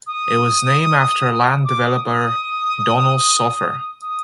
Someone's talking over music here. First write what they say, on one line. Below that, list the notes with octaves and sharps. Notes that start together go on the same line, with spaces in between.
It was named after land developer Donald Soffer.
D#6
D6
D#6
D#6
D#6
D#6